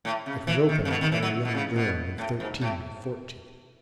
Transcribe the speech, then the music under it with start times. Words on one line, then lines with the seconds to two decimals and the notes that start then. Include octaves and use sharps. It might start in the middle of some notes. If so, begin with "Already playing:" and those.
It was opened by a young girl of thirteen or fourteen.
0.05 A2
0.26 C#3
0.47 E3
0.69 D#3
0.85 C#3
0.90 B2
1.01 D#3
1.12 E3
1.22 F#3
1.45 B2
1.55 C#3
1.76 B2
2.18 A2
2.40 G#2
2.61 A2